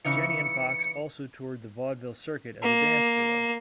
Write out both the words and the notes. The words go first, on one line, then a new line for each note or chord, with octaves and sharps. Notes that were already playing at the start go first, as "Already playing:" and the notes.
Jenny and Fox also toured the vaudeville circuit as a dance duo.
C#3 E3 D#4 C#7
A#3